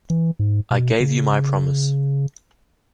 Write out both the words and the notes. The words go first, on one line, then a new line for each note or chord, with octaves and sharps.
I gave you my promise.
E3
G#2
B2
C#3